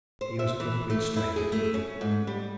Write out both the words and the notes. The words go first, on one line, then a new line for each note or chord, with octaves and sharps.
He was a complete stranger to me.
C5
E5
E3
A3
E4
G#4
A3
C#4
G#2
G3